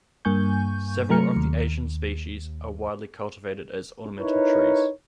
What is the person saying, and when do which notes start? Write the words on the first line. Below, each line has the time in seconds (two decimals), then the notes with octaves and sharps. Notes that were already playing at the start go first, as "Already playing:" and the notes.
Several of the Asian species are widely cultivated as ornamental trees.
0.25 G2 A#3 G#5 C#6 G6
1.09 C3 F#3 A3 A#5 F6 C#7
1.36 D#2
4.20 D#4 E4 A#4 B4 C#5